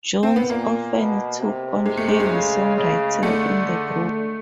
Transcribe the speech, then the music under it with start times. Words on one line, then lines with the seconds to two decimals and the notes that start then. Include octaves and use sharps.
Jones often took on heavy songwriting in the group.
0.23 C4
0.36 B3
0.50 A#2 A#3
0.96 B2
1.40 C3
1.86 G#3
1.97 A3
2.08 G#3
2.20 G#3
2.31 C#3
2.77 C#3
3.23 D3 A3